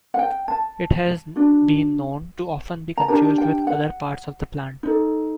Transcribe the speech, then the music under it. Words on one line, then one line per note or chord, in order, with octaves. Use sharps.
It has been known to often be confused with other parts of the plant.
F#5
G5
A5
D4 F#4
A#5
D4 G4 A#4 A5
G5
F#5
D#4 A4